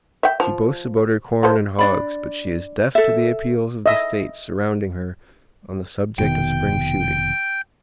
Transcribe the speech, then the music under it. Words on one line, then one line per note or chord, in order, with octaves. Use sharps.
She boasts about her corn and hogs, but she is deaf to the appeals of the states surrounding her on the subject of spring shooting.
E5 G5
F3
A#3 A4 C5
D4 D5 B5
A4 E5
D#5 E5
F1 B2 D#3 G5